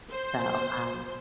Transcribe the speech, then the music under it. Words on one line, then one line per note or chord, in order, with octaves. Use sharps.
so, um,
C5